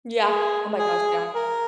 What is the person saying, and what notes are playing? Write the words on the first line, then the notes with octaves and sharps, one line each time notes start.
Yeah. Oh my gosh, yeah.
G#4
G#4
A#4